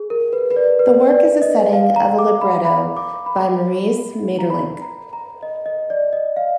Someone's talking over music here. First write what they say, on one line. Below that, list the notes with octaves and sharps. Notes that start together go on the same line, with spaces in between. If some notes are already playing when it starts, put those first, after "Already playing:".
The work is a setting of a libretto by Maurice Maeterlinck.
Already playing: G#4
A#4
B4
B4
D5
B4
D5
D#5
F5
A#5
D6
B5
B5
D6
B5
A#5
B5
A#5
A#5
D#5
D#5
D5
D#5
F5